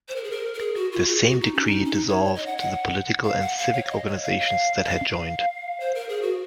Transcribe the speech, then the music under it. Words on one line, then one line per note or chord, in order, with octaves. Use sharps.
The same Decree dissolved the political and civic organizations that had joined.
C5
A#4
G#4
A#4
A#4
G#4
F#4
F4
G#4
F#4
D#4
C#4
D#4
C#4
D#4
C#5
C#5
D#5
F#5
F#5
F5
F#5
F5
C#5
C#5
D#5
C#5
F5
F5
D#5
F5
C5
A#4
G#4
F#4